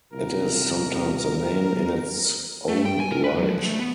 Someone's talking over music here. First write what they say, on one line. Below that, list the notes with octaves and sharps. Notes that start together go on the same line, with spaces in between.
It is sometimes a name in its own right.
C2 A#2 A#4
A3
G5
G#5
A#4
B4
F#3
F3
A3
B3